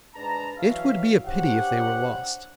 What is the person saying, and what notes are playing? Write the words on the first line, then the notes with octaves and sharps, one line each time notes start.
It would be a pity if they were lost.
G#2 D4 B4 A5 A#5
E3 F#3 F#4 C#5 E5 F5
D4 G4 C5 C#5 F#5